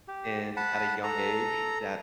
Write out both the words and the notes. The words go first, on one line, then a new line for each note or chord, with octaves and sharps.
And at a young age, that
G4
F#5 A5 B5
A4 A#5